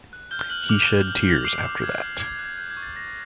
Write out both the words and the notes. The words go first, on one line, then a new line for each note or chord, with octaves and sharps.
He shed tears after that.
F#6
F6 G6 G7
F6 F#6 F#7
F#7
D6 F6 F7
F#6
G6
G6
D6 C7
D6
F#6 G#6
D6
D6 G#6
G#6
F#6
G#6
F#6 G6
G#6
C#6
A6
G6 A#6